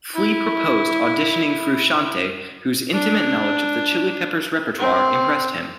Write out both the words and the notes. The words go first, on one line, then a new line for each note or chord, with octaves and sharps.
Flea proposed auditioning Frusciante, whose intimate knowledge of the Chili Peppers' repertoire impressed him.
E4
D4
C4